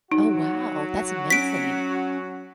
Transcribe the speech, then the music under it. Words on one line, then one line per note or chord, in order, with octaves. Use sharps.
Oh, wow, that's amazing.
F#3 D#4 F#4
C#4 B6 D7